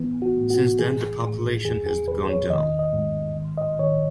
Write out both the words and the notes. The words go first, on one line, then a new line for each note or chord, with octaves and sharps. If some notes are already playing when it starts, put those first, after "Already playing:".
Since then, the population has gone down.
Already playing: E3 B3
F#4
A2
F#4
E3 G#4
A2
E2 G#4
G#4
E2 B4
C#5
D#3 D#5
D#5
G#2
D#3
D#5
D#3 C#5